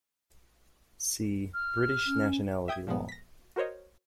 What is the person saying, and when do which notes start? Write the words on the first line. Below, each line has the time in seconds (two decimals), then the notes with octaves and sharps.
See "British nationality law".
1.54 F6
2.06 C#4
2.68 E5 G5 D#6 G6 G#6
2.87 A#2 F3 G#3 B3
3.09 A#6 B6
3.56 F#4 A#4 C5 C#5 D#5